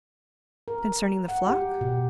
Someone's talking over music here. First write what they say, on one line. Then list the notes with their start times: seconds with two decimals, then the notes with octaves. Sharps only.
Concerning the flock?
0.68 A#4
1.28 F#5
1.47 G4
1.81 B2